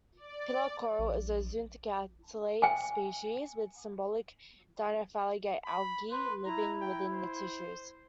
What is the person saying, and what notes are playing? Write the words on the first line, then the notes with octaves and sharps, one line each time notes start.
Pillar coral is a zooxanthellate species, with symbiotic dinoflagellate algae living within the tissues.
D5
A#1
G5 G#5
B5
B4 C6
E4 A#5
G5
C5